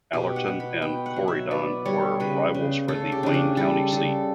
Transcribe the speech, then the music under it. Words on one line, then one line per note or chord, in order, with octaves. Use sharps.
Allerton and Corydon were rivals for the Wayne County seat.
B2 G4
F#5
B2
B5
B3 G5
F#5
F#3
E5
B3 D5
G3 C#5
C#3 B4
C#3
C#3 A4
G4
C#3 D4
C#4
G3 A4
C#3 A4